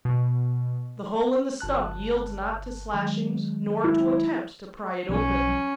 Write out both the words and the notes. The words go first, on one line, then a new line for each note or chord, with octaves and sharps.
The hole in the stump yields not to slashings, nor to attempts to pry it open.
B2
G1 A5 F#6
D#3 F#3 G#3
E4
B1 F3 G3 C#4